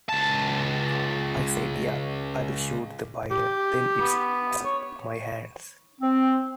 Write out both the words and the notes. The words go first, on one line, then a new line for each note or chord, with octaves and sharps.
I said, yeah, I'll shoot the pilot, then it's out of my hands.
C#2 A5
G4
B3
C#5
C4